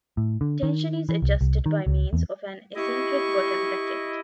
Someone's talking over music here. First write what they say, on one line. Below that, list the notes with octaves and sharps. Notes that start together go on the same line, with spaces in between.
Tension is adjusted by means of an eccentric bottom bracket.
A2
D3
D#3
E3
C2
C2
D#3
C#2
E2
E4 G4 D#5 C#6